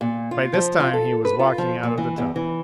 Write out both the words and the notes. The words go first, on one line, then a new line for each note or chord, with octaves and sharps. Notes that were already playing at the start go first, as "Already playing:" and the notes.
By this time he was walking out of the tunnel.
A#2
F4
F3
F4
A4
B4
F4
F3
A#2
E3
E2
E3